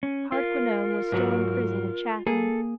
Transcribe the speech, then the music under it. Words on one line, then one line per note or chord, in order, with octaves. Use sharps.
Hardquanonne was still in prison at Chatham.
C#4
F4 A#4
G#2 F#3 F#4
A#3 G#4 A4